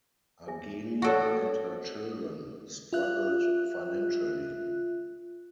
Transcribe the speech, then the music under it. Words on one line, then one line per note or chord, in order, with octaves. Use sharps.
Argelia and her children struggled financially.
G#4 E5 G#5
F#4 A4 C#5 D5 E5
F4 E5 F#6